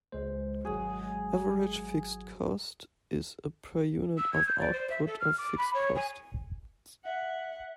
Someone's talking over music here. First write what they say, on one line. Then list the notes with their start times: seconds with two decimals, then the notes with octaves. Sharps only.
Average fixed cost is a per-unit-of-output of fixed costs.
0.12 C#2 G#3 C5
0.65 G#1 F#3 F#4 G#4
4.17 E6
4.32 G#6
4.46 G6
4.59 D5
4.72 C5
4.89 E5
5.06 A4
5.20 F6
5.37 D6
5.57 B5
5.73 C#5
5.95 G#5
7.05 E5 F#5